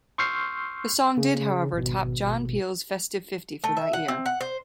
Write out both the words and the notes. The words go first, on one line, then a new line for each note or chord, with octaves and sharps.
The song did however top John Peel's Festive Fifty for that year.
C6 C#6 E6 F6 G6 C7
C#3
G#1 B2
A3
E5
F#5
C4
F#5
C5